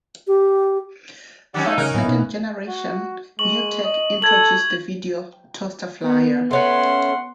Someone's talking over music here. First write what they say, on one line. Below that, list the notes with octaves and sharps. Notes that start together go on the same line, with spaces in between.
For the second generation NewTek introduced the Video Toaster Flyer.
G4
D#3 F#3 C#4 G4 D5 F#5
A3 D#4 C#5 E5 F5 F#6
C#3 C#4 D#4 A#4 G#5 F6 F#6
A2 F#3 B3 C#4 E4
B2 D#4
F#4
G#3 C#6 F#7
D#5
A4 G#6 F#7
B3
A3 C#4 B4 F#5 C6